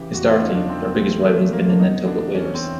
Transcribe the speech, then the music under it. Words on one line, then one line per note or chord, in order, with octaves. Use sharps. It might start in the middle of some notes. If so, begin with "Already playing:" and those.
Historically, their biggest rival has been the Nantucket Whalers.
Already playing: C#3 E3 G4
E2 F#4
F4
C#3 E3 D#4
D4
E2 C4
C#3 E3
E2 A3
C#3 E3 A#3
D4
E2 D#4
C#3 E3 D4
E2 C#4
C4
E3